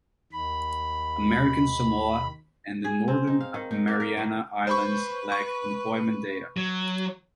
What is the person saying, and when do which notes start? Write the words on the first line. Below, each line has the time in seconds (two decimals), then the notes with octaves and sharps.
American Samoa and the Northern Mariana Islands lack employment data.
0.32 D#2 D#3 B5
2.84 G#4
3.08 C4
3.27 D#4
3.40 F5
3.54 D#3
3.71 D#4
3.87 A#3
4.00 A#4
4.17 D#3
4.67 B4 C5 B5 C#6
5.32 C#6
6.57 F#3